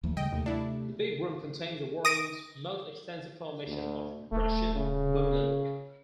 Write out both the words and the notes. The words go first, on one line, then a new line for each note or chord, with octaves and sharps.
The Big Room contains the world's most extensive formation of brushite moonmilk.
D#2 F3 A3
C#3 G3 A3 D#5 G5
D#2 C3 A3
D4 E4
D#6 A#6 D7 D#7
D2
D#1 A3
C#3